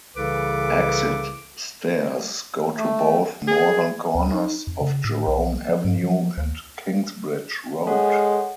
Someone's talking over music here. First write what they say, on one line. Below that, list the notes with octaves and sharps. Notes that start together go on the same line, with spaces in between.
Exit stairs go to both northern corners of Jerome Avenue and Kingsbridge Road.
C2 C#3 E3 A4 B4 D6
A3
G#4
D2
D#4
F2
C#3
A2
B1
F3
G2
F3
D2
G#3 A4 C#5 F#5